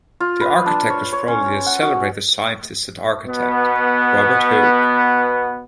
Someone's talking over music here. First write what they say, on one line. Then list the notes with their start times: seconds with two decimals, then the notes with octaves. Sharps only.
The architect was probably the celebrated scientist and architect, Robert Hooke.
0.20 F4
0.40 B4
0.66 D4
0.90 C#5
1.13 C#5
1.28 C#4
1.66 F#5
1.82 F#4
3.26 B2 B3